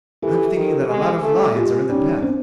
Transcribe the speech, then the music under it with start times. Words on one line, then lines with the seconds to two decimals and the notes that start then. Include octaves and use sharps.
"I'm thinking that a lot of lions are in the path."
0.22 E3 G4 A4
0.56 D#3
0.89 G#3
1.23 A3
1.56 G#3 F4 G4
1.89 G3 C#4 D#4
2.22 C4 D4